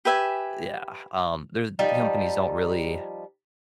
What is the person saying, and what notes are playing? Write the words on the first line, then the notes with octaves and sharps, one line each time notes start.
yeah, um, there companies don't really
G4 B4 E5 G#5
F3 G3 D#4